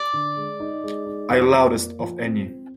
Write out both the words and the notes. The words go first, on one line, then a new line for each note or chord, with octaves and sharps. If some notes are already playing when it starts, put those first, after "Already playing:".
I loudest of any.
Already playing: D5
D3
G#3
D#4
G#3
D#4
F2
F2
A#3
F3
C4
C4